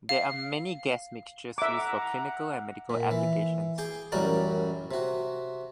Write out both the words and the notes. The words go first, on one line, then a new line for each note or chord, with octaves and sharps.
There are many gas mixtures used for clinical and medical applications.
F5
E5 F#5 A#5 D6
A#2
E3
G#4 G5 D6
A1 F#2 G3 F#4 A#4 D5
C3 F#4